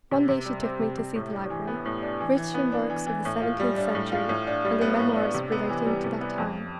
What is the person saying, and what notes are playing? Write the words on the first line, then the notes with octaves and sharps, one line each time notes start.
One day she took me to see the library, rich in works of the seventeenth century and in memoirs relating to that time.
C3
C3
G3
C4
C3
C3
A2
D4
E3
B3
A2
D4
E3
E3
B3
D4
E3
E3
A2
F4
G3
D4
A2
F4
A2
D4
G3
B3
A2
D4
C3
B3
E3
G3
C3
B3
F2